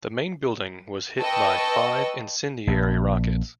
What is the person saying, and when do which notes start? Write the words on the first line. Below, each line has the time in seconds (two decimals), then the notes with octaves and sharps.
The main building was hit by five incendiary rockets.
1.21 B4 D#5 G5 A5 C#6 E6
2.67 A#1